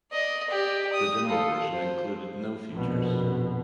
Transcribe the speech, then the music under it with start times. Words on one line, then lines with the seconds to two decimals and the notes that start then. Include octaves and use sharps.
The demo version included no features.
0.12 D5 D#5
0.48 G4 D5
0.93 D#6
1.25 F4 A4
1.73 C5
2.71 A#1 F2 B2